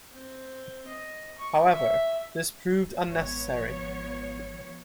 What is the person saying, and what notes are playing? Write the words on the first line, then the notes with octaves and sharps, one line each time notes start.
However, this proved unnecessary.
C4
D#5
C#6
E5
G#1 F3 B3 C#5